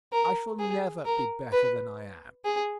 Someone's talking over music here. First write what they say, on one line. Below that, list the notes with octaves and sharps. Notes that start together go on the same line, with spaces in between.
I shall never be better than I am.
A#4
G#4
A#4
B4
G#4